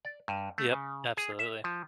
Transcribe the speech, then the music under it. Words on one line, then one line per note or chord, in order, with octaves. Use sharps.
Yep, absolutely.
D5
G2
A3
C#3
G#4
E5
F3